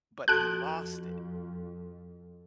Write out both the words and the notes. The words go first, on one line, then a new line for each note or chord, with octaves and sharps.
but he lost it
F2 F#4 A4 A5 F#6 D7